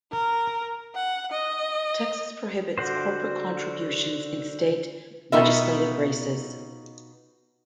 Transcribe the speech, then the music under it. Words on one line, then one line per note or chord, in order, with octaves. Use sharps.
Texas prohibits corporate contributions in state legislative races.
A#4
F#5
D#5
D3 F#4 C5
B2 B3 D#4 F4 E5